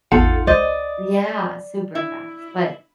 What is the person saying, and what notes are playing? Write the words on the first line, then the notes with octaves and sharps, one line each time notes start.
Yeah, super fast. But,
A1 E2 D#4 F4 A4 F#5 A5
C#2 C5 D5 D#5 A6
E4